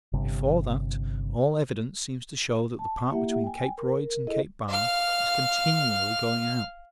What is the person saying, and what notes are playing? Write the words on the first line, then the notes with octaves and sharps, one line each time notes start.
Before that, all evidence seems to show that the part between Cape Royds and Cape Barne is continually going out.
G1 C3
A5
A#3 E4 G4 E5 F#5
G5 G#5
A#4
E4 G#4 A4 D#5
F5 F6